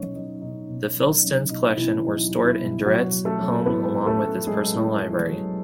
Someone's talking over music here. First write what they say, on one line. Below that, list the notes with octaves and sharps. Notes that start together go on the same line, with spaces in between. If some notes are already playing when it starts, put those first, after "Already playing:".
The Filson's collections were stored in Durrett's home along with his personal library.
Already playing: B2 F#3 C#4 D#4 C#5
F#3 D#4
B2 D#4
B2
F#3
D#4
F#3 C#4
B2 D#4
B2 E3 E4
F#3 D#4
F#3
E3 E4
B2
A2 F#3 F#4
F#3
A3 A4
F#3
A2 B3 B4
A2
A3 A4
F#3
F#3 G#3 G#4
A2
A2
F#3